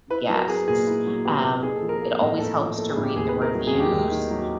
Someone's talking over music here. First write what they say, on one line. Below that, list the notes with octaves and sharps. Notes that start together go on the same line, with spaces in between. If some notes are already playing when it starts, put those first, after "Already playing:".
guests. Um, it always helps to read the reviews,
E4 B4
F#3
A#4
B3 G#4
A#2 G#4
E4
F#3
B3 G4
A#2
D#4 G#4
A4
F3
A#4
A#3
A2
D#4 A4
F3
A#3 A4
G#4
A2
G4
D#2 G#4
B4
D#3
A#4
F#3
G#4
D#2
G4
D#2
D#3
F#3